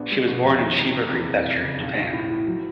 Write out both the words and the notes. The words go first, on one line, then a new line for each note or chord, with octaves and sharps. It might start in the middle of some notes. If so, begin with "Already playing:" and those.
She was born in Chiba Prefecture, Japan.
Already playing: A#1 B3 D4
G#3
B2
F2
D#3
C3
C3
E2
F1
F1
C#3
B1
B1
A2
A2
F#3